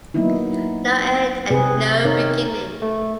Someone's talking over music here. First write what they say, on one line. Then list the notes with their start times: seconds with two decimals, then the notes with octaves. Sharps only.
No end and no beginning.
0.14 F#3 A#3 B3 D#4 E4
1.51 C3 C4 G#4 B4
2.05 C4 D#4 A#4 C#5
2.82 A3